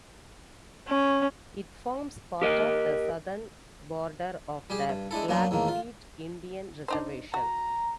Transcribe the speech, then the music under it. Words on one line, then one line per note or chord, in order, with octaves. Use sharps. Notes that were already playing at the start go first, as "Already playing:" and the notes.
It forms part of the southern border of the Blackfeet Indian Reservation.
C#4
G4 A#4 D#5
G3 G4 G#4
G2
G#3 D4 E4 A4
F#2 F#3 A#3 B3 D4
E2 A2 D#3 A#3
F4
D4 D#4 C5
F#4 A#5